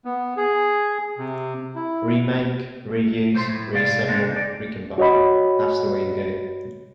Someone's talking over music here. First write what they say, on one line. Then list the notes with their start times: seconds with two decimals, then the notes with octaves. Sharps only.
Remake, reuse, reassemble, recombine - that's the way to go.
0.05 B3
0.37 G#4
1.18 C3
1.76 E4
3.33 B1 A3 C5 C6
3.49 A2
3.73 A2 C3 D5 F5
4.08 C#3 G#3 A#3 C4 D4 A4
4.32 D#4 D5
4.98 F#4 C#5 D#5 B5